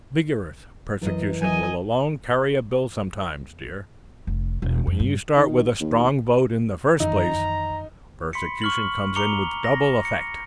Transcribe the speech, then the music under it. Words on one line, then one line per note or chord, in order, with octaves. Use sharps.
Vigorous persecution will alone carry a bill sometimes, dear; and when you start with a strong vote in the first place, persecution comes in with double effect.
F#2 E3 A#4 D#5
F#3 A#4 D#5 E5 G#5
F1
E1
F2
G2
D#3
D#2
F#2 D#3 E3 D#4 A#5
B5 C6 B6 C#7
C#6 F6 F#7
A#5 D6 C#7 F7 G7
A#6
C#7